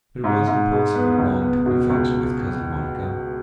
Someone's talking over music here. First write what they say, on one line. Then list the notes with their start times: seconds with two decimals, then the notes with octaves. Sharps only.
But it was impossible long to be vexed with Cousin Monica.
0.24 G#2
0.47 G#2
0.71 G#3
0.95 B3
1.18 C#2
1.42 B3
1.66 B2
1.90 C#2